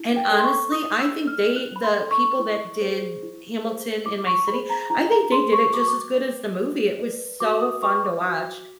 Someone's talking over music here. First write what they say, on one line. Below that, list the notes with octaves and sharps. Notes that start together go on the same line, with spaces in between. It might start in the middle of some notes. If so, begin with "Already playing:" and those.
And honestly, I think they the people that did Hamilton in my city, I think they did it just as good as the movie, it was so fun to watch.
Already playing: E4
G5
A4 D5
C6
C#6
E4 D#6
E6
A4 D5
F6
E4 F#6
B5
C6
A4 D5
C#6
E4
G#4 C5
E4
G#4 C5
E4 D6
C#6
G#4 C5 B5
A#5
E4 A#5
A#5
G#4 C5 C6
C#6
F#4 D6
C#6
D6
B4 D5
F#4
B4 D5
F#4 D6
D#6
B4 D5 C#6
D6
F#4